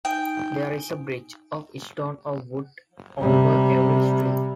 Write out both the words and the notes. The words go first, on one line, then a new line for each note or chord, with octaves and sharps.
There is a bridge of stone or wood over every stream.
D#4 G5 G#5
C3 G3